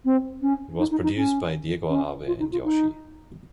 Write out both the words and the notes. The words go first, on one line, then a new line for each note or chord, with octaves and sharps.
It was produced by Diego Ave and Yoshi.
C4
C#4
D#4
D#4
D#4
C#4
C#4
F4
D#4
F4
D#4